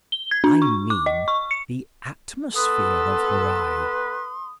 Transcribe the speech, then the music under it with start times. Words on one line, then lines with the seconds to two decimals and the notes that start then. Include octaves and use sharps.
I mean the atmosphere of Horai.
0.12 G7
0.31 G#6
0.44 D4
0.62 C#6
0.90 D6
1.06 D#5
1.28 C#6
1.51 C#7
2.55 B3 A4 B4 C6 D#6